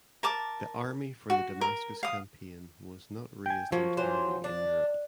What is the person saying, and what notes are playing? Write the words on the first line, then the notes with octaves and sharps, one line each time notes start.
The army for the Damascus campaign was not raised entirely in Europe.
A#4 A5 D6
F#4
A#4
F5 D#6
G5 G#5
F3 F#3 A#3
E3 F#3 C5
D4